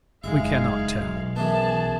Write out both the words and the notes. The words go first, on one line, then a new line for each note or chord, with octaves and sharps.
We cannot tell.
F#1 G#2 G#3 E5 F5
B1
F#2 E3 B3 G#4 A5